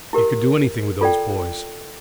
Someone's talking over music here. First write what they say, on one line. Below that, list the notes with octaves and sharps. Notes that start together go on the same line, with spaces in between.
'You could do anything with those boys.
E4 G4 A#4
F4 A4 D5 G5